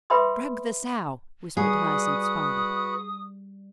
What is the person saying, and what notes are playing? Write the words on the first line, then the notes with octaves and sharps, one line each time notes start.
"Drug the sow," whispered Hyacinth's father.
B4 E5 G5 B5 C6 D#6
G3 F#4 G#4 B4 F#5 D#6